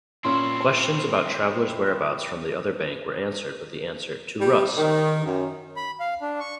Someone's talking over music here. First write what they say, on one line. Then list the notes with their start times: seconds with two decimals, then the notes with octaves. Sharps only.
Questions about travelers' whereabouts from the other bank were answered with the answer To-Rus!
0.24 A#2 C4 C#4 E4 C6
4.40 G3
4.77 D#3
5.24 F#2
5.76 B5
6.00 F5
6.21 D4
6.40 C#6